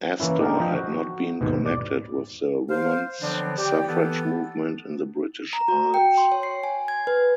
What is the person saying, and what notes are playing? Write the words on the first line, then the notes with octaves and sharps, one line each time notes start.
Astor had not been connected with the women's suffrage movement in the British Isles.
E3 A#3 C#4 E4
A#3 D4 D#4 G4 A4 A#4
F3 D#5 G5
F#4
D#2 G#2 B2
D5
C5 F5
D3 F3 F#3 B3 C4 D4
G4 D5 G5
E3 B3 A4
A#5
F#4
G5
C6
C#5
C7
G#5
G#6
B4